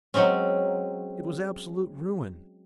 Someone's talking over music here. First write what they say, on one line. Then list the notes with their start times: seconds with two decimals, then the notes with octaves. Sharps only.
It was absolute ruin.
0.14 F#3 G#3 C4 C#4